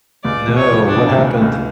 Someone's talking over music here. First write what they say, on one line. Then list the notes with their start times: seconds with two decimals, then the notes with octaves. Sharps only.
No, what happened?
0.24 C#2 D5
0.48 C#2
0.56 C#5
0.72 F3
0.87 D4
0.95 C#3
1.18 C#2
1.42 C#2